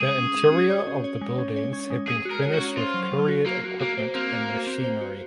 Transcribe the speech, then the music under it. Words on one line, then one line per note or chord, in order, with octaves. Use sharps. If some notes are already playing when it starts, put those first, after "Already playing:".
The interior of the buildings have been furnished with period equipment and machinery.
G#3 G#4
C#4
C#4
F#4
C#5
C#4
C#5
G#3
C#4
C#5
C#4
G#3
G#3 G#4
F#4
A#4
C#5
F#4
C#4
F4 C5
F#3
F#3
F#4
A#3 F#4
F#4
A#3 F#4
C5
A#3 C4
F#4
C5
C4
C5
F#4